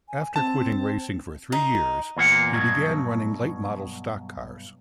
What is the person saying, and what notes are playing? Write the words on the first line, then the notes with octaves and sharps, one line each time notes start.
After quitting racing for three years, he began running late model stock cars.
G#5
C4 A5
D#4
E2 A#2 A#3 F#5
G2 B2 F#3